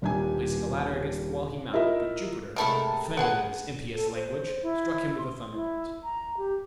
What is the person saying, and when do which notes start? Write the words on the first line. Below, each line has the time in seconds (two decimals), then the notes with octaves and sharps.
Placing a ladder against the wall he mounted, but Jupiter, offended at his impious language, struck him with a thunderbolt.
0.02 D#1 G3 D4 G4 G#5
1.73 E4 F4 A#4 D#5 E5
2.56 C3 G#3 A3 E4 A4 A#4
3.17 B3 G#4 F#5
3.94 A4
4.15 C5
4.63 E4
5.18 C6
5.53 E4
6.03 A#5
6.37 G4